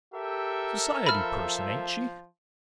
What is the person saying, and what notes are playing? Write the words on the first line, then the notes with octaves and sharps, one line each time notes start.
"Society person, ain't she?"
G4 A4 A#4 E5
F3 B5 F6